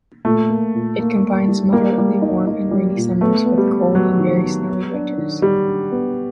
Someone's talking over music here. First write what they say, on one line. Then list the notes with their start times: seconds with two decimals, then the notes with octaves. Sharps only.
It combines moderately warm and rainy summers with cold and very snowy winters.
0.25 A#2 A3
0.49 A#3
0.74 A#2
0.99 A#3
1.24 A#3
1.48 G3
1.73 G3 A#3
1.98 G3
2.22 D#4
2.47 D#4
2.71 G3
2.96 A#2
3.21 A3 B3
3.45 B3
3.58 G3
3.70 B3
3.95 F#3 B3
4.19 D#3
4.44 B3
4.68 B3
4.94 D4
5.18 D#3
5.42 D#3 G3
5.67 D4
5.91 B3